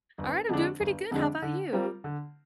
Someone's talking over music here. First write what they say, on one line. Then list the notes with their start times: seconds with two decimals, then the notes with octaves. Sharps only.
Alright, I'm doing pretty good, how 'bout you?
0.18 G1
0.49 F2 D3 G#3 D4
0.80 G1
1.11 F2 D3 G#3 D4
1.42 D3
1.73 G3 C4 F4 A#4
2.04 D3